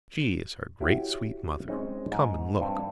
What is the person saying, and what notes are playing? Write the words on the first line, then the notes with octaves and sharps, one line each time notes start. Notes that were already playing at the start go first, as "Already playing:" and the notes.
She is our great sweet mother. Come and look.
E4 F#4 G4 C#5
G#3 C4 C#4 D#4
G#2
G2 C4